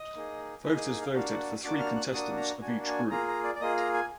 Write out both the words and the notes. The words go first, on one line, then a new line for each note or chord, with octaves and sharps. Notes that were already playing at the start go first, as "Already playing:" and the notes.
Voters voted for three contestants of each group.
Already playing: D#5
A#3 D#4 G#4
A#3 D#4 G#4 B4
D#5
D#5
F5
A#3 D4 F#4 F5
F#5
A#3 D4 F#4 D6
F6
F#6
A#3 D4 F#4 D#6
A#5
A#3 D4 F#4 G#5
G#5
A#3 F4 G#4 A#5
A#5
D5
D5
A#3 F4 G#4 D#5
A#5
G#5